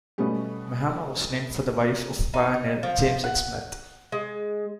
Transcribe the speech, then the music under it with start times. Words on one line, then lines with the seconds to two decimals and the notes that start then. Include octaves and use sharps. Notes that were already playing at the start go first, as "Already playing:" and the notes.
Mehama was named for the wife of pioneer James X. Smith.
0.18 B2 G3 A3 B3 C#4
2.34 D#4
2.83 F3
3.24 F#5
4.12 G#3